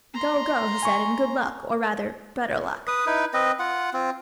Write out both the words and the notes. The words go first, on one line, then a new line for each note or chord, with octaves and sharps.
"Go, go," he said, "and good luck, or rather better luck."
A#5 C6
G#5 C#6
B4 D#6
D#4 E4 B4
C4 B4 D#5
F4 F#5
C4 F4